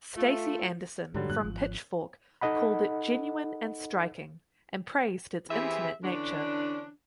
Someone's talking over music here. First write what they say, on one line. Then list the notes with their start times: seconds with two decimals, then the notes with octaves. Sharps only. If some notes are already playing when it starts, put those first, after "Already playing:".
Stacy Anderson from "Pitchfork" called it "genuine and striking" and praised its intimate nature.
0.16 A3 F4
1.14 G#2 D3 F#3 G3
1.30 G2 A#2 F#6
1.43 G#1 F3
2.41 D#4 A4 D#5 F#5 B5
5.50 E3 C4 E4 G4 G#4 E5
6.03 D3 E3 C#4 D4